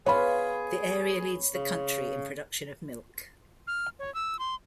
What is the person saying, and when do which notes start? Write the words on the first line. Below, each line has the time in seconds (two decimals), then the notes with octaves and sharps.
The area leads the country in production of milk.
0.06 B3 F4 G#4 C#5 B5
1.54 C#3
3.67 F6
3.99 C#5
4.15 E6
4.39 C6